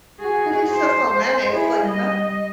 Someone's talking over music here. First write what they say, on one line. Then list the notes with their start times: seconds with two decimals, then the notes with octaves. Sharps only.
But it's just on mayonnaise, it's like nothing.
0.20 F#4 G#4
0.72 C5
1.51 E4 G#4
1.85 G3 D#5